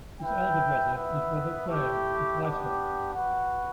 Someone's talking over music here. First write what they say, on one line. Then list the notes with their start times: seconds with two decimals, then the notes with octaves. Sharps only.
His elder brother was Robert Grahame of Whitehill.
0.21 E4 B4 E5 G5
0.94 B3 E4 B4 E5
1.67 A3 E4 G4
2.40 B3 D4 G4
3.13 F#4 B4 F#5